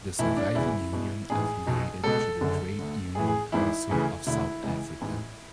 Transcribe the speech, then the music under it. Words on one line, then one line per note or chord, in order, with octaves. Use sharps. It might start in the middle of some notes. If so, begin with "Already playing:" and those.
The surviving union affiliated to the Trade Union Council of South Africa.
B1 A2 E3 E4
D4
E1 E2 C#3 E3 E4
E1 E2 B2
A1 G#2 E3 G#4
B1 B2
C#2 B2 A4
F#1 F#2 D3
D2 D3
A1 A2 E3 G#4
G#4
G#1 G#2 E3 E4
D2 C#3 E3
E1 D2 D3 E4
C#2 C#3 E3
A1 G#2 E3